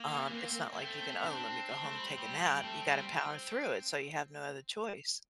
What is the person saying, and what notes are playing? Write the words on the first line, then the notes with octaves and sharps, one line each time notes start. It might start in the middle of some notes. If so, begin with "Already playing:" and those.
um, it's not like you can, "Oh, let me go home, take a nap," you gotta power through it, so you have no other choice,
Already playing: A#3
E3
C4
A#3
A3 C4
C4 D4
D4
A3
G3
G3
G3
A3
G3